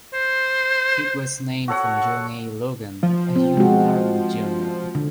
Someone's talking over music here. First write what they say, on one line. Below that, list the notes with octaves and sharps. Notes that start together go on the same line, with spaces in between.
It was named for John A. Logan, a Union Army general.
C5
F#4 A4 C#5 F#5
F3
C4
G#3 F#4
D3